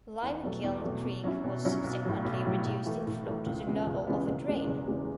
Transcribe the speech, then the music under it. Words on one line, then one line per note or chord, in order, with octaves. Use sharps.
Limekiln creek was subsequently reduced in flow to the level of a drain.
E2
B2 F#3 A3
E2
B2 F#3 A3
B2
F#3 C#4 E4
B2
F#3 C#4 E4
B1
A2 F#3
B1
A2 F#3
A2
E3 A3
A2
E3 A3
C#2
C#3 E3 G#3 B3
C#2
C#3 E3 G#3 B3
F#1
E2 C#3 G#3
F#1
E2 C#3 G#3